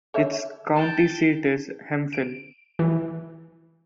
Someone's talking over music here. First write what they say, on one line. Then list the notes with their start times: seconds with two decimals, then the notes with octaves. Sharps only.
Its county seat is Hemphill.
0.14 A4 C#5 E5
0.76 G5 A5
2.13 D7
2.79 E3